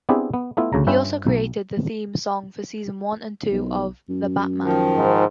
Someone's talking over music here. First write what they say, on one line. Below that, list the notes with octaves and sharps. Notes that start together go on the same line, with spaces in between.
He also created the theme song for season one and two of "The Batman".
B3 C4 D4 E4 G4 G#4
B3
A3 B3 E4 F4
D2 C#3 A#5
G2 C#4 F4 B4 E5 G5
B1
B1
F#2
D#3 F3
G#2